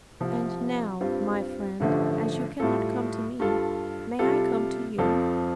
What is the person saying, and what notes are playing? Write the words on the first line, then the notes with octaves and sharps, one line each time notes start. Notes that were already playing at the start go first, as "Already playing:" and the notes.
And now, my friend, as you cannot come to me, may I come to you?
C2 C3 F3
G2 G3 C4 F4
A1 G2 D3 F3 A3
A2 G3 F4 A4
G2 G3 F4 A4
C3 G3 F4 A4
F2 F3 C4 F4 A4